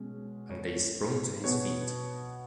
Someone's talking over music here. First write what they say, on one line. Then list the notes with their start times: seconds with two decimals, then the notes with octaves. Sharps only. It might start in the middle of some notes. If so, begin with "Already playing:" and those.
And they sprung to his feet.
Already playing: B2 G#3 C#4
0.50 C#5
1.44 B2 B3 C#5